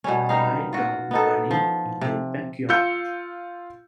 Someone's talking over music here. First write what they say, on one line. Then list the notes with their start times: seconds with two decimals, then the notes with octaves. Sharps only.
A white dog running in the backyard.
0.04 B2 G3 C#4
0.29 G3 D#4 F5
0.73 F4 F#4
1.11 B3 D#4 A4
1.51 F3
2.01 C3
2.69 F4 F5 E6 G6 C#7